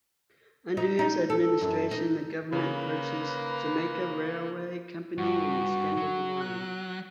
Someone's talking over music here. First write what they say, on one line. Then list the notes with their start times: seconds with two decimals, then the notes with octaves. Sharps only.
Under his administration, the government purchased Jamaica Railway Company and extended the line.
0.77 D#4
0.99 D#4
1.30 A4
1.61 F#2
1.91 D#4
2.52 C#3 A#3 B4
5.18 G2 F#4
5.97 F#3
6.41 F#6